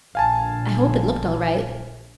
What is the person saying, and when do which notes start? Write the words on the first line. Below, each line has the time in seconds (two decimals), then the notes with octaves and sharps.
"I hope it looked all right?"
0.15 A#1 D3 F5 G#5 A5